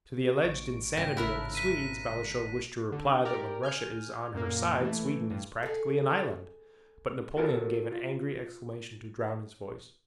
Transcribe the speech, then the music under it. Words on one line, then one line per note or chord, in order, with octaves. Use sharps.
To the alleged insanity of the Swedes, Balashev wished to reply that when Russia is on her side Sweden is practically an island: but Napoleon gave an angry exclamation to drown his voice.
A1 C#6 D7
G#2 C#3 G5 A#6
G#1 E4 A#4 E5 A5 F#6
B6 D#7
D3
G4 A#4 D5
G#5 F6 G6
F#2 A#2 A#3
E3 A3
G2
G#4 A4
F4 F#4 A4 A#4 C#5
F4